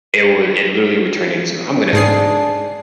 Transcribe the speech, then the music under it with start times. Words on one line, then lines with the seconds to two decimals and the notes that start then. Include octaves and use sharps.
it would it, literally, would turn into "I'm gonna
1.93 G#2 D4 G#4 C7